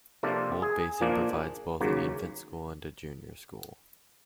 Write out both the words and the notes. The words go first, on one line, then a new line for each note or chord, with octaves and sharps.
Old Basing provides both an infant school and a junior school.
C3 F3 A#3 D4 F4 A4
G#4
A#2 F3 A#3 D4
D#2 C#3 F#3 A#3